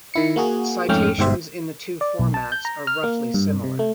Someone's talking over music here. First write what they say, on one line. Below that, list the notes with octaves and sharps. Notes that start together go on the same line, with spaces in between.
Citations in the two formats are roughly similar.
D#3 E4 C#7
A#3 F#4 G#4
F2 G#2 A3 C#4 G5 F6
G1 G#2 B2 G4 C5 E5
D5
B1
A5
G6
A#5
F6
A#3
G2
C3
A3